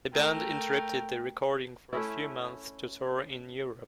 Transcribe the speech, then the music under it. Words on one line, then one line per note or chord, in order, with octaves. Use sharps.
The band interrupted the recording for a few months to tour in Europe.
A3 A#4 G5
A3 C#4 E4